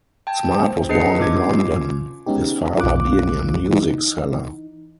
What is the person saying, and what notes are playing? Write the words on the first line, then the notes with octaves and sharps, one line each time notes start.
Smart was born in London, his father being a music-seller.
G5 A5 G#6
C5
D4 G#4 B4 D#5 C7 C#7
C#4 F4 D6 G#6
G#3 B3 C#4 D#4 G4
B1 F4 D6 F#6
E3 D#4